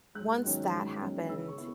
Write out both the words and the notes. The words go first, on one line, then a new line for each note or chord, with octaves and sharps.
once that happened,
G#2 F#6
D#3 F#3 C#4
G#2
D#3 F#3 C#4
C#3 E6
C#6
B3 E4